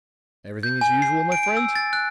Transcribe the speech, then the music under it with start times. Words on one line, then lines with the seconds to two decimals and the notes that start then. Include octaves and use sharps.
"Everything as usual, my friend?"
0.63 G6
0.81 G#5
1.02 C7
1.32 D7
1.43 D7
1.57 E6
1.75 A6
1.93 F#6